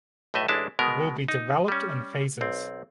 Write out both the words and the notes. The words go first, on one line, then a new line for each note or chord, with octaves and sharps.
It will be developed in phases.
B1 A2 A3 D#5 E5
A1 G#3 D4 E4 A5
B2 G#3 B3 A#4
D#4
G3 C#4
B1 C4